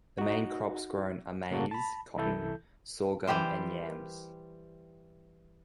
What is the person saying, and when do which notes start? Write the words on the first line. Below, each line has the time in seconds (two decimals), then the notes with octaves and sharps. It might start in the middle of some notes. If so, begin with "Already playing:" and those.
The main crops grown are maize, cotton, sorghum, and yams.
0.18 D#4 F#4
1.51 A2 C#3 A#3 F#4 A5
1.71 A5 B5
2.16 C2 E3 E4 A4 G6
3.27 E3 G3 G4 C5